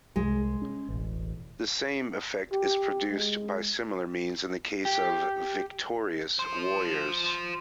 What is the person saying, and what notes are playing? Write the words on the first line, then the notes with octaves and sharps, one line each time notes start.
The same effect is produced by similar means in the case of victorious warriors.
C2 G#3
C#4
E1 A1
G4
G#3
G4
F3 C5